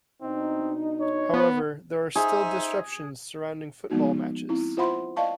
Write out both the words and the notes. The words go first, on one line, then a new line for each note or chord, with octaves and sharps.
However, there are still disruptions surrounding football matches.
B2 C4 D4 D#4
C#5
B3
D#4 G#4 C5 E5
F3 G#3 A#3 B3 D#4 F#4
C4 E4
F4 C5 E5 F#5 B5 C6
D5 D#5 F5 A5 C#6